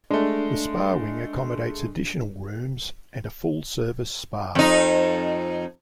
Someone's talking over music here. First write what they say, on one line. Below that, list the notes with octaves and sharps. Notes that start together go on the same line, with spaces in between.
The spa wing accommodates additional rooms and a full-service spa.
G#3 A3 D4
F2 D#4